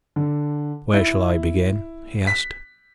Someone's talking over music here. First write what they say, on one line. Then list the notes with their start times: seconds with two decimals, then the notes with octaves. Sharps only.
"Where shall I begin?" he asked.
0.16 D3
0.93 E4
2.27 B6